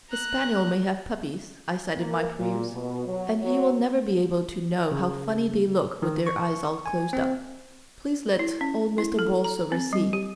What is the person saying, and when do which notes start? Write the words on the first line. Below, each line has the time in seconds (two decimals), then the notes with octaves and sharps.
"His spaniel may have puppies," I said in my prayers, "and he will never be able to know how funny they look with their eyes all closed up. Please let old Mr. Borlsover see."
0.10 A#5 F#6
1.96 A#3
2.38 A#2
2.71 B2
3.05 F#3
3.42 F#3
4.91 C#3
6.02 D#3
6.27 C#6
6.86 G#5
7.13 C4
8.39 E4
8.61 C#4
8.98 E4
9.19 A4
9.44 A#5
9.72 C4
9.93 G3
10.13 G4